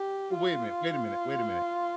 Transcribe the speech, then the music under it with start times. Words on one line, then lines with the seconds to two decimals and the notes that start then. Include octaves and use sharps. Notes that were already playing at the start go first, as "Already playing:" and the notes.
Wa wait a minute wait a minute wait a minute,
Already playing: G4
0.33 F4